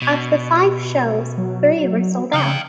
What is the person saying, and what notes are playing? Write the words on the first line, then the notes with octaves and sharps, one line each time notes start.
Of the five shows, three were sold out.
B2
F#3
C#3 F5 G5